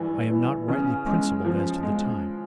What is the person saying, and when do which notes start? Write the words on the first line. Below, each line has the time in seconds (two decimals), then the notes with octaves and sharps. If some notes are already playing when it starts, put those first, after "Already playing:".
I am not rightly principled as to the time.
Already playing: G2 E3
0.30 E3
0.68 C#3
1.06 G#3
1.45 F3
1.83 G#3